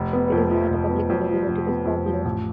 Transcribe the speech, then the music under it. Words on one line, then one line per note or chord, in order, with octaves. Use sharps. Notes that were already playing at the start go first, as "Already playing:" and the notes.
It is not a public holiday, but it is popular.
Already playing: F1
B3
F2
F3
F1
B3
F2
F3
F1
B3
F2
F3
A1